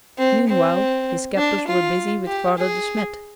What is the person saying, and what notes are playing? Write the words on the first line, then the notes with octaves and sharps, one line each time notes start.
Meanwhile his captors were busy with Father De Smet.
C4
C4
D4
F4
G4
G#4